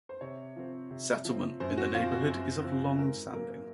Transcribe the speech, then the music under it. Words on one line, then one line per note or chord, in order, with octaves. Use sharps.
Settlement in the neighborhood is of long standing.
C5
C3 C#5
F3 C4
C3
F3 C4
F#2 C5
F#4
F3 C4 F4
F#4
F#2
F3 C4
G#2 A#4
F#3 A#3 A#4